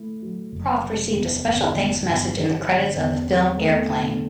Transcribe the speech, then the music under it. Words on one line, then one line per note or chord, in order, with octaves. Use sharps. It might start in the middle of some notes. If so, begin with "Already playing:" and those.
Proft received a special thanks message in the credits of the film Airplane!
Already playing: A3 E4
F#3
F#1
C3
E2
G1
E3
G2
G3
D3
E2
C4
A3
D3